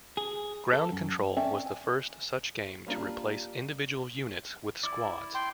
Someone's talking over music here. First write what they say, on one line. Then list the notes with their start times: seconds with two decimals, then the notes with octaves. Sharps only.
"Ground Control" was the first such game to replace individual units with "squads".
0.17 G#4
0.73 A4
0.92 F#2
1.36 C4 C#4 A4 D5 E5
1.66 G#5
2.87 G3 A#3 D4 F4
4.83 E4 D5
5.35 G5 C6